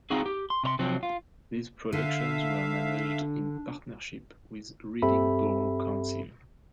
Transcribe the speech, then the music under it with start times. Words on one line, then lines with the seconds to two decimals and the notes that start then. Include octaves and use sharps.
These productions were managed in partnership with Reading Borough Council.
0.10 C4 D#4 F4 F#4 G#4
0.26 G4
0.50 C6
0.64 C3 C#5 C6
0.79 C3 F3 F#3 C4
1.03 F4
1.93 D3 D4 E5 F5
5.02 G2 C4 G4 A4 E5 B5